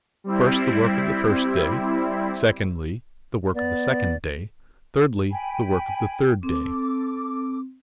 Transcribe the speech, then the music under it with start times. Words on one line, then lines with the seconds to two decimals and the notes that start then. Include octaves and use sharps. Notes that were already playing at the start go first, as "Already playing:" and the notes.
First, the work of the first day; secondly, the work of the second day; thirdly the work of the third day.
0.24 G3 C4 E4
3.55 B3 D5
5.31 G5 G#5 B5
6.43 C4 A4 D6